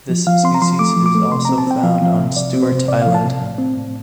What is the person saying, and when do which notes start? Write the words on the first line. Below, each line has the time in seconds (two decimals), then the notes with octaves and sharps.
This species is also found on Stewart Island.
0.09 F3
0.27 F3 F5
0.44 C4 C6
0.55 A#5
0.62 F3 C6
0.79 A3 D6
0.97 F3
1.06 D6
1.15 A3
1.32 C3 C6
1.45 C4 A#5
1.58 A5
1.67 C4 G5
1.83 F3 F5
2.02 F3 F5
2.10 E5
2.19 C3
2.36 C3 D5
2.54 C4
2.63 C5
2.72 C3
2.88 C3 D5
3.02 F3 F5
3.15 A5
3.24 C3
3.42 A2
3.58 C4
3.77 A2